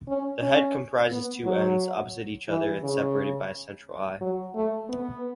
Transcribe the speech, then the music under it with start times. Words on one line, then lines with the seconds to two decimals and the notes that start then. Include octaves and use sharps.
The head comprises two ends, opposite each other and separated by a central eye.
0.08 C#4
0.42 C#4
1.11 B3
1.46 F#3
2.49 E3
2.83 C#3
4.21 F#3
4.55 A3
4.89 B3